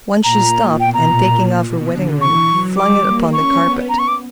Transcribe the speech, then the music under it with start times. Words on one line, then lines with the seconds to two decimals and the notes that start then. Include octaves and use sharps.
Once she stopped, and taking off her wedding ring, flung it upon the carpet.
0.24 A#2 A#5
0.80 B2 G5
0.94 A#5
1.08 A#2
1.65 B2
1.92 D3
2.21 E3 C#6
2.50 F#3
2.77 G3 D6
3.05 A#3
3.33 C#4 C#6
3.62 B3
3.89 A#5
3.99 C#6
4.08 D6